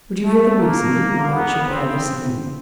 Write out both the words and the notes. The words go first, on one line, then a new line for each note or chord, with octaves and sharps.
Would you hear the reason why it should bear this name?
A3
A#3
B3
C4